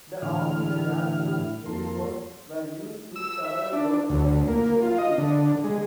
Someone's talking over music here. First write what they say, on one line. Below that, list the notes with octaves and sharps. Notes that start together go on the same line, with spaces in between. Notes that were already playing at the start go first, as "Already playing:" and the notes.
The Army and Air Force Enigmas were used with several rotors, initially three.
A2 D3 E3 E4 F6
F2 A#3 A4 A#4 C6
E6
E5
D4
D2
A#3
F4
D#5
D3
G#3